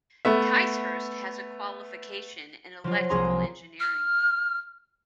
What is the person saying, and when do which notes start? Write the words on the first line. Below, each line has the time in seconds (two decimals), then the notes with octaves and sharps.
Ticehurst has a qualification in electrical engineering.
0.25 A3 B3 E5
2.84 F3 F#3 F4
3.10 C2 A#3 G#4 A#5 C6
3.80 F6